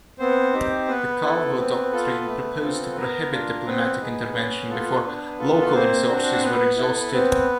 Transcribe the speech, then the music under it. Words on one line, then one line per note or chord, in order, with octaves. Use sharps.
The Calvo Doctrine proposed to prohibit diplomatic intervention before local resources were exhausted.
B3 C4 C5
D#4 G4
B3 B4
E4 A4
C4
F4 A4
A3
C4 F4 A4
B3 A#4
D4 F4
B3 C4 B4
D#4 G#4
C#4
F4 A4
D4
F4 A4
B4
A#3 C4 C5
D4 F#4
C5
B3 B4
E4 A4
B3 C4 B4